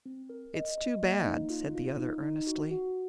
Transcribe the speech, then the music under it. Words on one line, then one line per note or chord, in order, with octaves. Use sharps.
"It's too bad," said the other, earnestly.
C4
A#4
D#5
D#5
A#3
D#4
F4
F4
D#4
D#4
F#4
F#4